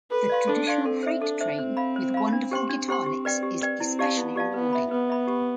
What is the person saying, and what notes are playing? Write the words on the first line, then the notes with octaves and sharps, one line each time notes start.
The traditional "Freight Train" with wonderful guitar licks is especially rewarding.
A4 B4
D5 F5 C6
D4 A4
D5 F5 C6
C4 A4
C5 E5
D4 A4
C5 E5
C4 C5
F5 B5
C5
F5 B5
C4 D4
G4 C5 G5 C6
D4
G4 C5 G5 C6
C4 G4
B4 D5 G5
G4
B4 D5 G5
C4 E4
G4 D5 F5 A5
B3 E4
G4 D5 F5 A5
B3 B4
E5 B5
B3 B4
E5 B5
G4